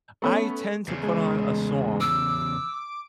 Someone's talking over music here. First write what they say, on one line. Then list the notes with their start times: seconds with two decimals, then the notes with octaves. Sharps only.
I tend to put on a song
0.22 A3 B3 C#4
0.88 E2 C#3
1.03 G#3
2.01 D6 E6